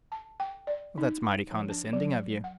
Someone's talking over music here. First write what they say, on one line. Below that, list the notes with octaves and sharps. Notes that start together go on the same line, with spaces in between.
"That's mighty condescending of you!"
A5
G5
D5
D#4
F3
D4
F#3
F#5